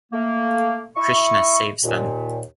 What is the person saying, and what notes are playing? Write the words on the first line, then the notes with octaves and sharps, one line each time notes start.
Krishna saves them.
A3 A#3
E4 D#5 E5 C#6
D#2 A#2